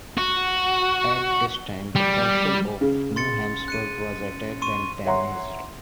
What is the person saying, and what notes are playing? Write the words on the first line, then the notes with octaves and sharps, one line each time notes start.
At this time the castle of Neu Habsburg was attacked and damaged.
F#4
G3
C#3
C6 A6 C#7
F#6 C#7 D#7
C6 C#6 D#7
C#5 E5 F#5 A#5 C6